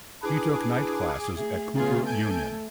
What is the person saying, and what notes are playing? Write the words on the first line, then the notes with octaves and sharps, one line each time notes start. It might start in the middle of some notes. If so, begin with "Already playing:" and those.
He took night classes at Cooper Union.
D4 E4 G#4 B4 D6
A3 G#4
C#3 B3 F4 G#4
A4 G#5 G6 D7